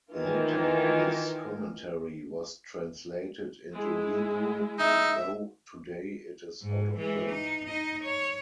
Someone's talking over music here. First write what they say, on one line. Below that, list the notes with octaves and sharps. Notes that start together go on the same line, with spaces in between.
Later this commentary was translated into Hebrew, though today it is out of print.
D#3 E3 D#4 F4 A#4
G#3 E4
D#4 E5
G#2
E3 G#3
D#4
D#4 D#5
C#5